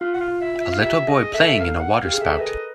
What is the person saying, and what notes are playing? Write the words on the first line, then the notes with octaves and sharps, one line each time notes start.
A little boy playing in a water spout.
F4 F5
F#5
F5
F4
E5
F4
E5
F5
G4 E5
G#4 D#5
A4 E5
E5
A#4 F5
F#5
G4 F5
G#4
A4 E5
A#4
B4 D#5